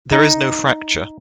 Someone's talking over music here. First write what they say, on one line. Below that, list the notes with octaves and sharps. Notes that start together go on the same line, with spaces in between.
There is no fracture.
D#4